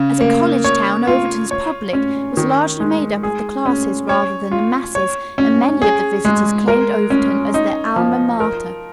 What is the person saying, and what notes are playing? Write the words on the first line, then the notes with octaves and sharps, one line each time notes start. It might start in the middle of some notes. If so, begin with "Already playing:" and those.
As a college town Overton's "public" was largely made up of the classes rather than the masses, and many of the visitors claimed Overton as their Alma Mater.
Already playing: C#3
A#3
C#5
F4
C#5
C#4
D#3
G#3
G#4
C#4
C#5
F4
C#5
C#4
G#4
G#3
A#4
C#4
D#4
F3
A#4